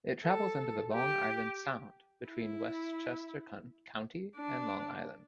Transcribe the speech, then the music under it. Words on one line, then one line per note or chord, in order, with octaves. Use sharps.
It travels under the Long Island Sound between Westchester County and Long Island.
A4
G4
E4
D4